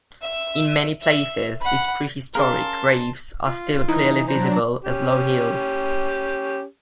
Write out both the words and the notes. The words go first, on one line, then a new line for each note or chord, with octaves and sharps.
In many places, these prehistoric graves are still clearly visible as low hills.
E5 E6
E5
F#5 B5
C#4 G#4 A#4 F5 A5 C6
F4
E3 D#4
F#3 D4 C5 A#5
C#4 G4